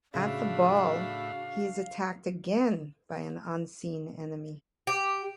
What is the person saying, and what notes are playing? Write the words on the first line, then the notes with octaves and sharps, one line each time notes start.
At the ball, he is attacked again by an unseen enemy.
A2 C#3 D4 F#4 E5 F5 B5
G4